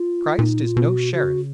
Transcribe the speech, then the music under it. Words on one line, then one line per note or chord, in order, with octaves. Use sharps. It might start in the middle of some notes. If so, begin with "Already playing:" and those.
Christ is no sheriff.
Already playing: F4
A#2 D#4
F4
B2
F#4
C#3 F#4